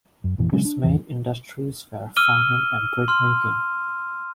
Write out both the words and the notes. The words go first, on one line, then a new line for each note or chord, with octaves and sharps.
Its main industries were farming and brick-making.
F#2
A1 F2 A#2 E3
C#3 F#3 G#3 C#4
D4
A1 E2 E3
D6 E6 F6 D#7 G7
C6 F6